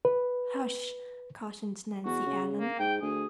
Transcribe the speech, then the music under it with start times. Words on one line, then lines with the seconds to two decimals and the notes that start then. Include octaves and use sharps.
"Hush!" cautioned Nancy Ellen.
0.05 B4
2.05 E2 F#4
2.26 C#3
2.59 A#3
2.79 G#2 G5
3.02 D2 G#4